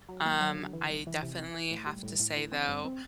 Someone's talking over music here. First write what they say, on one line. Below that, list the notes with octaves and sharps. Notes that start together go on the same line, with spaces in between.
Um, I definitely have to say, though,
F#3
A#3
F#3
D3
E3
C2
E3
C3
E3
E3
A2
G3
A2
A2
E3
C4
G2
C4